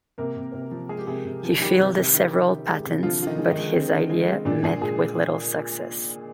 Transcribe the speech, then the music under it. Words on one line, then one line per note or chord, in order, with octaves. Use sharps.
He filed several patents but his ideas met with little success.
C3 A#3 A#4
C3
C3
F3
G#3 G#4
G4
C3 G#3 G#4
C3
F3
D#3 G3 G4
C3
C3
D#3
D#3
D#3
G#3
C3
D3 F3 F4
D3 F4
D#3 D#4
G#3
D#3 D#4
G#3
G#3 C4
D3
G#3
G#3
A#2 D3 D4
A#2 G#3 G#4
A#2 G#3 G#4